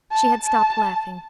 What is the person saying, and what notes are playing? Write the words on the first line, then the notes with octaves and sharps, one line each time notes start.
She had stopped laughing.
A5
A5